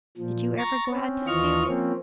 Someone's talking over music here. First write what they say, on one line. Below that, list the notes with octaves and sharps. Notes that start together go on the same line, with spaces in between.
"Did you ever go out to steal?"
A#2 F3
A#5 C#6 A6
C4 C#4
D#2 E3 F4 D#5 C#6 F6
F3 A#3 C4 C#4